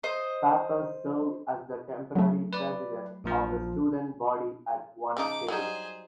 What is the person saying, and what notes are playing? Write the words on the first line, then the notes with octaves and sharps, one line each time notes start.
Pappas served as the temporary president of the student body at one stage.
C5 D#5
F#3 A3
B4 D5
A#1 A#2 F3
C#3 F3 D#4 D6
F#3 G3 D#4 G#4 C5